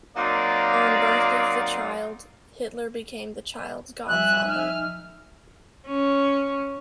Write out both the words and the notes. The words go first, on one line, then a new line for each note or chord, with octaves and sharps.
On birth of the child, Hitler became the child's godfather.
F#3 A#3 C4 D#4 F4 D5
F3 G3 E5 G#5 F#6
D#4 F6
C#4